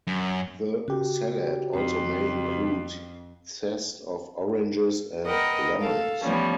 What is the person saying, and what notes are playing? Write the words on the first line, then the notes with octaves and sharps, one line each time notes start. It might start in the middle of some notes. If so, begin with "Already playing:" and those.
The salad also may include zest of oranges and lemons.
F#2
C#3 F#4 G4 G5
F2
A#4 B4 D#5 F#5 G5
A4 F5
E3 F3 G3 A3 B3 C#4